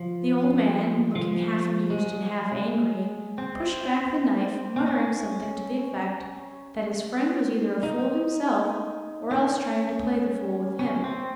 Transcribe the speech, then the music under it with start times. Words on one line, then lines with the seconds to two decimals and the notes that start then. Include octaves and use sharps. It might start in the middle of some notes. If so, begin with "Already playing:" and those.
The old man, looking half amused and half angry, pushed back the knife, muttering something to the effect that his friend was either a fool himself, or else trying to play the fool with him.
Already playing: F3
1.16 F3
1.90 G#3
3.38 C4
4.76 C4
4.86 C#4
7.83 D#4
9.31 C#4
10.79 C#4
11.04 C4